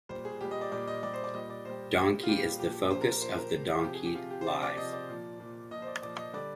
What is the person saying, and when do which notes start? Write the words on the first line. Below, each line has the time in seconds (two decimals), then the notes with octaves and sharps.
Donkey is the focus of the Donkey Live!
0.09 A#2 G3 C5
0.25 G#4
0.41 A#2 G3 G4
0.51 D#5
0.61 D5
0.72 A#2 G3 D5
0.87 D#5
1.03 A#2 G3 D5
1.14 C5
1.24 D5
1.34 A#2 G3 D#5
1.50 D5
1.65 A#2 G3 C5
1.97 A#2 G3
2.23 F4
2.29 A#2 G3 G4
2.59 A#2 F3 G4
2.90 A#2 F3 C5
3.01 A#4
3.11 A#4
3.22 A#2 F3 C5
3.37 A#4
3.53 A#2 F3
3.77 F4
3.84 C3 F3 G4
3.94 G#4
4.05 G4
4.15 C3 F3 F4
4.31 G4
4.41 C5
4.46 C3 F3 D5
4.62 D5
4.77 C3 F3 D#5
4.93 D5
5.09 A#2 F3
5.40 A#2 F3
5.71 A#2 F3 D#5
5.82 C5
5.87 D5
6.02 A#2 F3 D5
6.18 D#5
6.33 D3 G3 D5